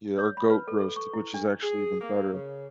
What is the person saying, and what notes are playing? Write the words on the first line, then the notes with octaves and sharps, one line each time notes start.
Yeah, or goat roast, which is actually even better.
C#5
B5
B4
A4
A4
C#6
E4
D4
G#4
A#3
C#3